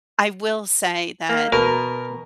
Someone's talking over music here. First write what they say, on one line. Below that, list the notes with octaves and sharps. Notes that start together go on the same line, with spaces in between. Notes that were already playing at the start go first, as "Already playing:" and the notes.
I I will say that
A#3
B2 A#4